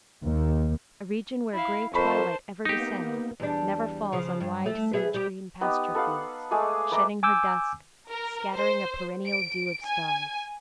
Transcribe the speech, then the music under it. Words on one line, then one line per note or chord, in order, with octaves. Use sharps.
A region where grey twilight ever descends, never falls on wide sagegreen pasturefields, shedding her dusk, scattering a perennial dew of stars.
D#2
E4 F5 B5
F2 A4 A#4 C5 A5 B5 C#6
A#3 B3 D#4 G4
E2 G3 D4
C#3 F3
G2
A3
B3 G#4 E5
G3 G4
B3 D#4 G4
A4 B4 F5 F#5
G#3 A3 G#4 D6
B4 D5 E5 A#5
G#5 D6 E6 G6
A#4
C5
D7
G#5